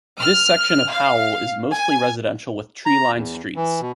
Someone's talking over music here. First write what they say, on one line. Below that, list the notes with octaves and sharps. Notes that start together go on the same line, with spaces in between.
This section of Howell is mostly residential with tree-lined streets.
F6
F5
G#5
A#5
E2
E3
B2